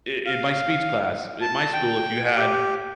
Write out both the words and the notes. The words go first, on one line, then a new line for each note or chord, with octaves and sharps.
in my speech class at my school, if you had
F5
A5
G5
G4